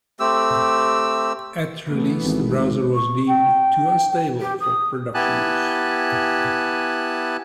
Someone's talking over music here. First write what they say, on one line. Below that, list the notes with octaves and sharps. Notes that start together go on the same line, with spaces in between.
At release, the browser was deemed too unstable for production use.
A3 C4 G4 E6
E3 A3 B3
G#1
C#6
G5
G4
D#6
B3 E4 G4 G#5 A5 F#6